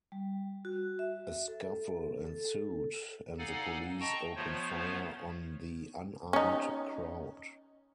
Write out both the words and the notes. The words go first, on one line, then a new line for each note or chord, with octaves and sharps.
A scuffle ensued, and the police opened fire on the unarmed crowd.
G3
F#4
E5
A4
A4
D#4 A4 D5 F5 F#5 G#5
D#5 G5 A5 A#5 C#6
F3 A3 B3 F4 C5 C#5
C#4 D#4